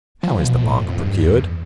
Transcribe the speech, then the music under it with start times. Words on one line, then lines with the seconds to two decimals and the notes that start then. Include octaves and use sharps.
How is the bark procured?
0.23 F3
0.44 B2
0.64 A2
0.83 F2
1.04 G2
1.24 E2